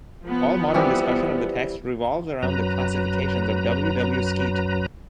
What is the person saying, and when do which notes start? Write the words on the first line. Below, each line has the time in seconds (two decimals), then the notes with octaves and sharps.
All modern discussion of the text revolves around the classifications of W. W. Skeat.
0.24 F3 B3
0.74 E3 G3 C4
2.43 F#2 F#3 B4 A#5